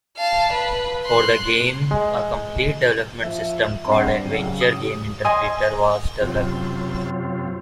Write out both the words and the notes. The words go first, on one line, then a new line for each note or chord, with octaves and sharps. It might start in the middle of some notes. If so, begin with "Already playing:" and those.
For the game, a complete development system called Adventure Game Interpreter was developed.
F5 A5
B4
C6 F#6
G#3
F3 E5
G2 C4 F#5 C7
F#2 C#3
D#6
D#5 G#5 C6 D#6
F#2 C3 F#3 C4 F4